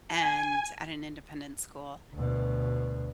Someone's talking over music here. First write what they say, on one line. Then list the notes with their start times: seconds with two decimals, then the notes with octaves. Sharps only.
and at an independent school,
0.10 G#5
2.14 D2 B2